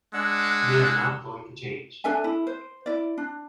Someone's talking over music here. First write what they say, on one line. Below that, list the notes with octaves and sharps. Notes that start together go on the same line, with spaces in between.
They are not going to change.
G#3 D4 F#5 E6
D4 A4 E5 G#5
E4
C5
E4 D5
D4